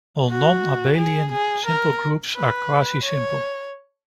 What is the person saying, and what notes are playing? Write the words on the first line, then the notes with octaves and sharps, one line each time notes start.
All non-abelian simple groups are quasisimple.
F#4
G#4
G#4
A#4
B4
C#5